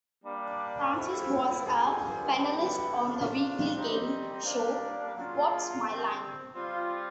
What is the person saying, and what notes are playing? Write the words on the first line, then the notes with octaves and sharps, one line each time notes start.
Francis was a panelist on the weekly game show What's My Line?
G3 A#3 D4
F3 A3 C4 E4
D3 G3 C4 F4 G#4
D3 G3 B3 E4
C#3 F3 A3 D4
G3 C4 D#4 G4
G3 A#3 D4
F#3 A#3 D4 F4 G#4
D3 G3 C4
G3 C4 F4